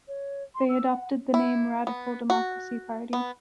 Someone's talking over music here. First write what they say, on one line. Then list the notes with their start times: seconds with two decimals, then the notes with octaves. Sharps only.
They adopted the name Radical Democracy Party.
0.07 C#5
0.54 C6
0.69 E6
0.90 F#5
1.34 E4
1.87 B3
2.30 F#4
3.13 B3